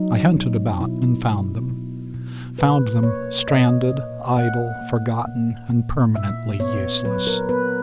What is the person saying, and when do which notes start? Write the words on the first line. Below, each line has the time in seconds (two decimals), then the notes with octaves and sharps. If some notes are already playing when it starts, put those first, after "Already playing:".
I hunted about and found them--found them stranded, idle, forgotten, and permanently useless.
Already playing: F#3 D#4
0.36 B2
0.81 B2 E4
1.25 B2
1.69 B2
2.14 B2
2.59 A#2 B4
3.03 A#3 C#5
3.48 A#2 D#5
3.92 A#2
4.37 A#3 F#5
4.81 A#3
5.26 A#2
5.71 A#2
6.16 A#2 E5
6.60 B3 C#5
7.05 F#3 B4
7.27 A#4
7.49 B3 B4